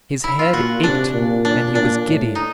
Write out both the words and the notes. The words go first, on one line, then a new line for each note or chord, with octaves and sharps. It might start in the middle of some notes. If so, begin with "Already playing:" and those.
His head ached and he was giddy.
E4
F4
A#2 F#4
C3 D4
A#2
D4
A#2 D4
A2
D#4